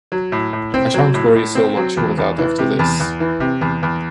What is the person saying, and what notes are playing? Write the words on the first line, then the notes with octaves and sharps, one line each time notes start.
I shan’t worry so much over that after this.
F#3
A2
A2
C4
F#3
A2
A2
C4
F#3
E2
E2
E3
C3
E2
E2
E3
C3
E2
E2